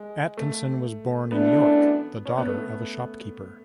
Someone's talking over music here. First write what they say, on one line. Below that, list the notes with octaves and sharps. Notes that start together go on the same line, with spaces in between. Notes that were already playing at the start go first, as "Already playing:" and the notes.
Atkinson was born in York, the daughter of a shopkeeper.
Already playing: G#3
A3
F#2 E3 A3 B3 D4
C#4
B3
A3